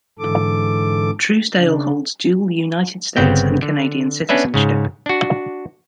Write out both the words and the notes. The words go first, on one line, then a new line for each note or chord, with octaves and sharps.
Truesdale holds dual United States and Canadian citizenship.
G#2 D3 E3 A4 D6
C#3 D4
G1 C#3 B3 C4 G5
D3
B3 C#4 D4 B4 E5
G#2 C#3
D4 F#4